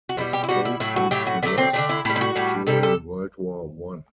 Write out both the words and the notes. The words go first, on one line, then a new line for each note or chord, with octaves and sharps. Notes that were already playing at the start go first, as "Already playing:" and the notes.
He stayed in Trieste during World War One.
F#4
B2 G3 E4
G4
E4
B2 G3 F#4
E4
A2 F#3 A3 E4
F#4
A2 F#3 A3 G4
F#4
D3 F#3 A3 B3
C4
D3 F#3 A3 D4
E4
A2 G3 E4
E4
F#4
A2 G3
C3 G3 A4
A4